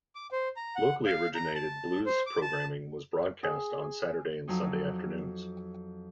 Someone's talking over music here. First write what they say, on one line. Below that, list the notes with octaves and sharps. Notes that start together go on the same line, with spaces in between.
Locally originated blues programming was broadcast on Saturday and Sunday afternoons.
D6
C5
A#5
F#5
F5
A#5
A5
C5
D6
A5
G#4
F2 F#3 D#4